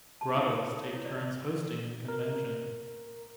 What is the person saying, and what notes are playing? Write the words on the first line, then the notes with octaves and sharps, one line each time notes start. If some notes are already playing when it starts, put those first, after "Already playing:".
Grottos take turns hosting the convention.
A5
D#4
F4
B4
C#5
E4
D5
A#4